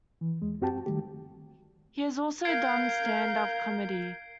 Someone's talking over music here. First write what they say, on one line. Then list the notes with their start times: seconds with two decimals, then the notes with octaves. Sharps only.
He has also done stand-up comedy.
0.21 E3
0.42 D#2 G#3
0.61 F#2 C4 F#4 G4 G5 A5
0.86 D#3 F#3 G3 A3 G4
2.45 A#4 F5 G6 G#6 C7 D7